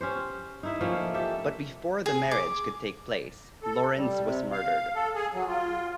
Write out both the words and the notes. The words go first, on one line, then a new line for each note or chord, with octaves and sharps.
But before the marriage could take place, Lorenz was murdered.
C#4 G4 C5
D#4 E4 E5
F3 A3 A#3 C#4
G4 A4 E5
G#4
D6
A4
G3
C3
F5
A4
G#4
F#3
F4